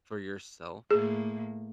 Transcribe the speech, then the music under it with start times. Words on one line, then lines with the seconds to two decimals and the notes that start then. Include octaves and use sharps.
for yourself,
0.91 A2 A#3 G#4